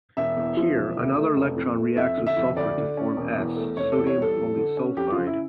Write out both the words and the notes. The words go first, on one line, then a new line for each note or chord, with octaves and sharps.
Here, another electron reacts with sulfur to form S, sodium polysulfide.
E1 E5
E2
F3
E1
D2
A3
F1
F2
A3
F2 E5
D3
E5
F2
D2 D5
D3
C#4
E1
E2
A3
F1 C#5
A4
E2
C#5
G3 A4
F2
D3
C#4
F2 G4
C#3 F4
E4